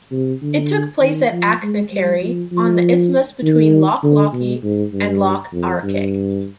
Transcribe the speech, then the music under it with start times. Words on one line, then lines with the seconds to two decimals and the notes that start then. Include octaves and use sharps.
It took place at Achnacarry, on the isthmus between Loch Lochy and Loch Arkaig.
0.12 C3
0.42 D3
1.02 D#3
1.32 F3
1.63 G#3
1.92 G3
2.22 F3
2.52 F3
3.43 D#3
4.04 D3
4.33 B2
4.63 G#2
4.93 G2
5.53 F2
5.84 G2